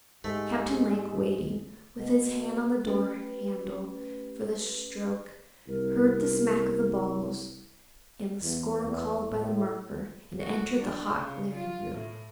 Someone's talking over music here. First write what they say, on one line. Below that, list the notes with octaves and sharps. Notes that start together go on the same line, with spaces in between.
Captain Lake, waiting, with his hand on the door-handle, for the stroke, heard the smack of the balls, and the score called by the marker, and entered the hot, glaring room.
G#2 G#3 A3 G4
B2
A3 C#4 G4 B4
C2 A#4
E2
E2
A2
F#4
D4
C#3
F4
A2